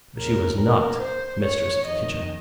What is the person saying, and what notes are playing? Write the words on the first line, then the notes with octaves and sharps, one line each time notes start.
But she was not mistress of the kitchen.
D#2 C#3 A#4
A#4
C5
C#5
F2 D#3 D#5